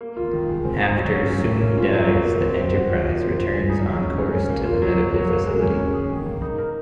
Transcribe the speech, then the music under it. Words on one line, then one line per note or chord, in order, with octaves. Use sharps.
After Soong dies, the "Enterprise" returns on course to the medical facility.
A#3
F4
D#3
G#3
C4
D#4
F#3
C#4
F#3
A#3
C#4
F4
F#3
A#3
F#3
C4
C4
F#4
F3
A#3
C4
F4
G#3
D#4
F#3
C#4
G#3
C#4
A#3
F4
F#3
A#3
F#3
A#3
G#3
C#4
C#4
G#4
D#3
A#3
D#4
A#4